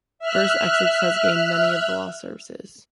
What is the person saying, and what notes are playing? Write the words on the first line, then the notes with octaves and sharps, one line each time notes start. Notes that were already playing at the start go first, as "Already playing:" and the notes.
First Essex has gained many of the lost services.
E5 F6 F#6